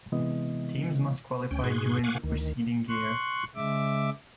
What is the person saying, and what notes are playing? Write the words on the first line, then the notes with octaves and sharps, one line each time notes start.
Teams must qualify during the preceding year.
C3 E3 G#3 B3 E4 D#5
D2 C#4 G5
G#2 B2 G#4 C6 C#6 F#6
F5 F#5 G#5 C#6 D6 F#6
D2 D#3
C6 C#6 F#6
C#3 G#3 E5 D6